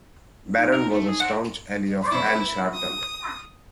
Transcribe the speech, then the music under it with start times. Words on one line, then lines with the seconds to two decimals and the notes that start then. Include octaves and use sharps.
Barron was a staunch ally of Al Sharpton.
0.57 D#4
0.74 A#4
0.91 A3
1.08 G#4
1.20 C4 D4 F#5
2.11 E4
2.74 D#6